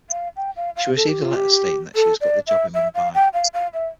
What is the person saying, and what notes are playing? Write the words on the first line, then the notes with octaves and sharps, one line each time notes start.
She receives a letter stating that she has got the job in Mumbai.
F5
G5
F5
F5
A4
G4
F4
G4
A4
D5
E5
E5
F5
G5
F5
F5
E5